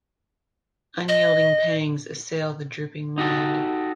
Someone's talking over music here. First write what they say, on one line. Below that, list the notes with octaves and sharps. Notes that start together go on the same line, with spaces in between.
Unyielding pangs assail the drooping mind.
D#5
D#4 F#4 G4 A4